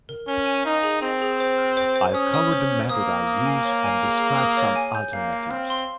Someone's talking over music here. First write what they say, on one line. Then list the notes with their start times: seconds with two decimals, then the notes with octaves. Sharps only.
I'll cover the method I use and describe some alternatives.
0.09 A#4
0.28 C#4 A#4
0.46 G#5
0.65 D#4 F5
0.83 G#4
1.02 C4 G#4
1.21 G#4
1.40 C5
1.58 F6
1.77 C5
1.96 C5
2.14 C#4 D#6
2.34 D#6
2.52 C5
2.71 C5
2.89 A#3 D#6
3.08 D#6
3.27 D#6
3.45 G#5
3.64 C#5
3.83 G#5
4.02 G#4
4.20 G#4
4.39 D#6
4.57 C#5
4.76 G#5
4.95 G6
5.13 A#3 F5
5.33 F5
5.51 C4 F6
5.70 C6